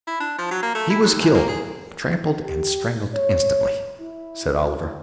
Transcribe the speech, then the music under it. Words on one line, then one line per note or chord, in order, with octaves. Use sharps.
"He was killed--trampled and strangled instantly," said Oliver.
E4
D4
F3
F#3
A#3
A3
E4
D#2
F#2
A#3
G#4
G4
C#5
E4